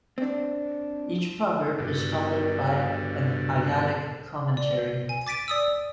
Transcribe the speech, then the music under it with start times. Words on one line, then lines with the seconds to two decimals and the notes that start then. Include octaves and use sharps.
Each proverb is followed by an Haggadic commentary.
0.18 C4 D4
1.79 G2 B2 D3
4.57 D5
5.09 G#5
5.27 D6 A6 B6 D7 D#7
5.48 D5 D#6 E6